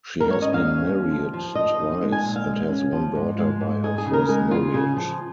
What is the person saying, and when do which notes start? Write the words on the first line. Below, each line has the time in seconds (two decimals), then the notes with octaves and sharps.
She has been married twice and has one daughter by her first marriage.
0.20 G#2 A#4
0.31 C#5
0.42 C#4 D#5
0.54 F5
0.65 C#4
0.88 D#2
1.10 F3
1.33 F3
1.55 F3 D#5
1.79 D#4
2.01 G#3
2.12 G#5
2.25 A#2
2.36 F5
2.47 G#3
2.69 C#4
2.92 F3
3.15 G#2
3.38 G#3 F5
3.61 G#2
3.83 D#4 G#4
3.98 G#4
4.06 C#3
4.13 A#4
4.29 G#3 G#4
4.51 C#3 F4
4.74 C#3 G#4
4.97 F3